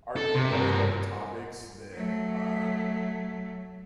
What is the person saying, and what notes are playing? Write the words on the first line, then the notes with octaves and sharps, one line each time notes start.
are you going over topics that, uh,
A4
C3
G2 A#4
F#3 A3